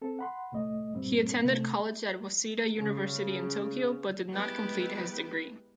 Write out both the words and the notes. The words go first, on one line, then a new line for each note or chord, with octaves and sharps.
He attended college at Waseda University in Tokyo but did not complete his degree.
C4 A4
F#5 B5 C6
C2 A2 A3 D#5
G2 A#2 G3 C4
C3 A3
C#3
G#3 B3 E4 G4 B4